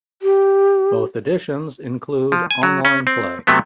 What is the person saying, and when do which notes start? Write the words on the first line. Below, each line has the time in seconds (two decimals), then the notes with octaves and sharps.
Both editions include online play.
0.22 G4
2.32 F3
2.51 G#5
2.63 F#3
2.85 C#4
3.07 C4
3.47 C3 F#3 A3 B3